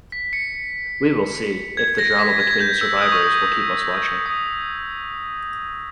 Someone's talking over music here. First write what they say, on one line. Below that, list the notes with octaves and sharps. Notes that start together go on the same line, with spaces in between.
We will see if the drama between the survivors will keep us watching.
B6
C#7
G#6
A#6
B6
G#6
G#6
G6
E6
D#6
C#6
D#6
D#6